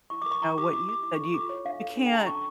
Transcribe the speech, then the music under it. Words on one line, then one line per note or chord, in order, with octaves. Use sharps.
Know what you do you you can't
E4 C#6
D6
A#4
C#6
E4 A#5
G4 D6
E4 D6
G4 D6
E4 D6
C#6
A4
C#6
F4 D6
C#5
D4 F5
A4
D4
G5
A4 A5
A#5
C#4 C#6